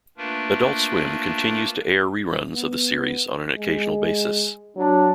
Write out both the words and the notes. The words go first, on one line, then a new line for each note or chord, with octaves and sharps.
Adult Swim continues to air reruns of the series on an occasional basis.
A3 A#3 D4 F4 A#4 B4
B3
G#3
F#3 D4